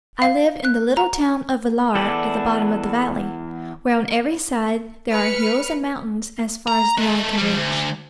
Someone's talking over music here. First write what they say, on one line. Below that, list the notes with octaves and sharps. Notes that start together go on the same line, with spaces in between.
I live in the little town of Villar at the bottom of the valley, where on every side there are hills and mountains as far as the eye can reach.
F5
F#6
A#5
E2 A4 B4 D5
B4 F6 C#7
A#5
G#3 A3
F3 G3
D2